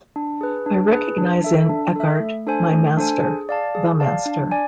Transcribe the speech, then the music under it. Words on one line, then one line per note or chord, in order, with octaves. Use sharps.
I recognize in Eckhart my master, the master.
D4
G#4 B4
D4
G#4 B4
D4
A4 E5
D4
A4 E5
A3
D4 A4 C5 G#5
A3
D4 A4 C5 G#5
G#4
D5 F5 A5
G#4
D5 F5 A5
D4
D5 G#5